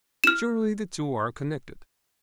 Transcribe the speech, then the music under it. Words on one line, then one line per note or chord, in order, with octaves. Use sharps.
Surely the two are connected.
F6 E7